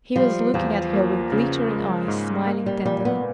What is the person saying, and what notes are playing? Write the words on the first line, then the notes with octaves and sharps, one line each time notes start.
He was looking at her with glittering eyes, smiling tenderly.
F3 G3
E2 F3
A#3
C#3
G#3
G#2
A#3
G3
A#2 G3
B3